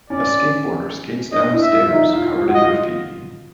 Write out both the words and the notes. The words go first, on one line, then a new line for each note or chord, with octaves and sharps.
A skateboarder skates down stairs covered in graffiti.
C#4 D5
D4 D#5
E4
E5
F4
D#4
F4
F4
F#4
D#5
F4